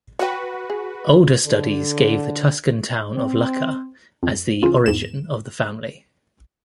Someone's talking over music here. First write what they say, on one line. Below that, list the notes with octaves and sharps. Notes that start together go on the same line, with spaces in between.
Older studies gave the Tuscan town of Lucca as the origin of the family.
F#4 B4 C#5 G5
G#4
D3
C4
F2
D2 C#3 E3 F4
E2 G#2 E7